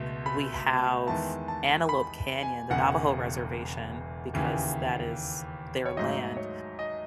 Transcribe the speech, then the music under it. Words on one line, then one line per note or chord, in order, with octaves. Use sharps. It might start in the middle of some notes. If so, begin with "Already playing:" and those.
We have Antelope Canyon, the Navajo reservation, because that is their land.
Already playing: C#2 B2 A3
B5
E2 D#3 G#3 B3 E4 A5
A5
B5
G#5
E1 E2 C#3 F#5
D#2 C#3 E3
C#5
G#2 F#3 A3 D#5
C#5
D#5